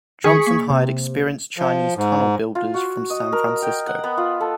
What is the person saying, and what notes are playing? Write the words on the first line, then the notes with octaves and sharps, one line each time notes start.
Johnson hired experienced Chinese tunnel builders from San Francisco.
D#3 G#4 C#6 B6
A#3
C3
F3
G#2
F4
F#4
D#5
A#4
G5
F#5
B3
F4
A4